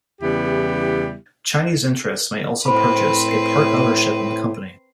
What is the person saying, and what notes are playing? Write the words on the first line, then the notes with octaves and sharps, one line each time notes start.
Chinese interests may also purchase a part-ownership in the company.
E2 C#3 G3 B3 E4 G4
A2 C4 B4 C5 B5
C7